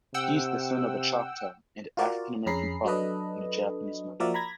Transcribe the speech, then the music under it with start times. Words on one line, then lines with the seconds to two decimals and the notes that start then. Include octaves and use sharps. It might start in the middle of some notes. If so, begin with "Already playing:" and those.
He is the son of a Choctaw and African-American father and a Japanese mother.
0.14 C3 F#5 G5 E6
1.97 F4 F#4 A#4 D5
2.46 F2 C#4 G#4 A#5 B5 C7
2.85 F#3 D4 A4 B4 D#5
4.20 F3 A#3 F#4 A#4 D5 E5
4.34 A#5 B5 G#6 A#6